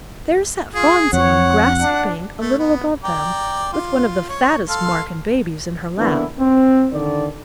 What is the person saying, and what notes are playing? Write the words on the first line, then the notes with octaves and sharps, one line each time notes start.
There sat Phronsie on a grassy bank a little above them, with one of the fattest Marken babies in her lap.
F4 G#4
F2 C#5 F#5
D4
A3
B3
D5 G5 A#5
F4
C#5
A4 F5 C6
D3 E3 A#3 B3 D4 E4
C4
D3 D#3 D5